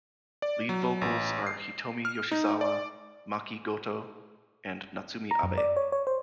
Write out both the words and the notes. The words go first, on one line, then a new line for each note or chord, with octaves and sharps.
Lead vocals are Hitomi Yoshizawa, Maki Goto, and Natsumi Abe.
D5
F#3
A1
C7
F6
D#4
D5
A#5
F#2
D5
C#5
C#5
C5